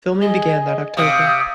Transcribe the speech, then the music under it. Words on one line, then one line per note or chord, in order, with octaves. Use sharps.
Filming began that October.
G#4 D#5
C3 F5 D#6